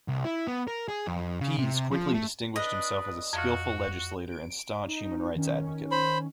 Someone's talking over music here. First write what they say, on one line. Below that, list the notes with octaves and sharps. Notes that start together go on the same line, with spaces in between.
Pease quickly distinguished himself as a skillful legislator and staunch human rights advocate.
C2
E4
B3
A#4
G#4
F2
C#3
C3
F3
A3
D4 B4 D#5
F2 F#4 F5 F6
D7
D#4
D#3 C#4
C5 B5